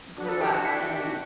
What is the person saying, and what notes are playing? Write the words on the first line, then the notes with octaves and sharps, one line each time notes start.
grew up, and,
D4 F#4
B4
A4
G4
F#4
D4 E4
F#4
G4
F#4